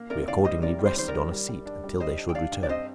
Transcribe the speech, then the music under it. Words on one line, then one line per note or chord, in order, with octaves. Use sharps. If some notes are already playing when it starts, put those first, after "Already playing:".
We accordingly rested on a seat until they should return.
Already playing: A#3
C3 A#4 D5
D#3 D5 F5
G3 C5 D#5
C3 A#4 D5
G3
C5
D#3 C5
A#4 D5
G3
G3
G3
D4
G3
G3 C5 D#5
D4
G5
D4 D5 F5
G2
D5
C4 C5 D#5